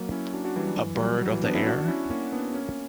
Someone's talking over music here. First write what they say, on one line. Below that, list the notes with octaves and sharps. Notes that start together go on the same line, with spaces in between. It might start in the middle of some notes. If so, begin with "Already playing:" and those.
A bird of the air?
Already playing: F#3 A#3
C#4 E4
D4 F#4
D4 F#4
E3 G3
F#3
E3
G3
F#3
F#3
E3
B3 D4
C#4 E4
D4 F#4
C#4 E4
A#3 C#4
B3 D4
A#3 C#4